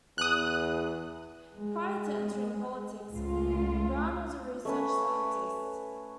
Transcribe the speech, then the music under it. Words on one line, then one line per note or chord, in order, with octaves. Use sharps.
Prior to entering politics Brown was a research scientist.
E2 D#6 F#6
G#3
C#2 G#3 A3 F4
A3 C#4 B4